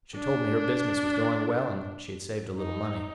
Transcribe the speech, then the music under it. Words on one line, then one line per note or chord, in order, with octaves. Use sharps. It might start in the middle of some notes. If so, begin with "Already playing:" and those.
She told me her business was going well, and she had saved a little money.
D4
D#4